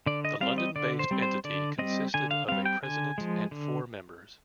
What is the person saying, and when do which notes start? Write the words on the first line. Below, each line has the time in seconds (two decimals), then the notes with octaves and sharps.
The London-based entity consisted of a president and four members.
0.06 D3 D5
0.25 D#5
0.41 G3 C4 F5
0.58 D#5
0.76 D3 D5
0.99 C5
1.11 G3 C4
1.22 C5
1.44 D3 D5
1.79 G3 C4 D#5
2.14 D3 G#5
2.31 F5
2.48 G3 C4 F5
2.65 G5
2.83 D3 G#5
3.18 F3 G#3
3.51 D3